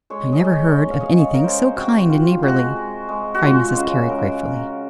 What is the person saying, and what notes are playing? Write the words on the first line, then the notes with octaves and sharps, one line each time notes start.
"I never heard of anything so kind and neighborly!" cried Mrs. Carey gratefully.
G#3 C#5
D#5
G#3 D#5
C#5
G#3
F5
D#5
C#3 C#5
A#4
G#3 C5
C3 F#4
C3 F4
G#3 F#4
G#3
G#3
F#4
G#3 F4
C#3 F#4
G#3 A#4
C#3